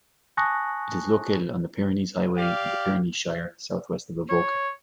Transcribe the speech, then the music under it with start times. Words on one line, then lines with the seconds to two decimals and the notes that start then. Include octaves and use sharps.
It is located on the Pyrenees Highway in the Pyrenees Shire, south-west of Avoca.
0.37 G#5 A5 C#6 D#6 F#6 A#6
2.37 G4 D5 F5
4.29 C#5